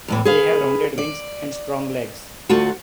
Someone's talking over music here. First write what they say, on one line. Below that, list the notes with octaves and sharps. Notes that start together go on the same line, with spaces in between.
They have rounded wings and strong legs.
E2 A2 E3
G#4 B4 F5
D5
D2 A3 F4 F#4